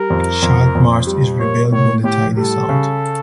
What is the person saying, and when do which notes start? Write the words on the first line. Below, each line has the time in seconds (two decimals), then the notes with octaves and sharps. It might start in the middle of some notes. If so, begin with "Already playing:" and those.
Salt marsh is revealed when the tide is out.
Already playing: G3 A#4
0.10 F2
0.42 F2
0.75 F2
1.07 G3
1.40 A#3 C#5
1.72 A2 C#5
2.04 A2 G4
2.37 G3 A4
2.69 C#3